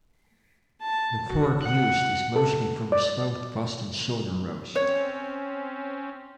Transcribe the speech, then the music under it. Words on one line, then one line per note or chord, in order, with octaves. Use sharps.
The pork used is mostly from a smoked Boston shoulder roast.
A5
F#4
F#5
A4
D5
C4 C#4 C#5